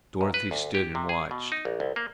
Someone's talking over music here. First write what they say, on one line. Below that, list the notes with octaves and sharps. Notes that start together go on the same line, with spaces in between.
Dorothy stood and watched.
F#2
B4
D2
G4
C3
G#4
B2
D#4
A#1
C2
A#3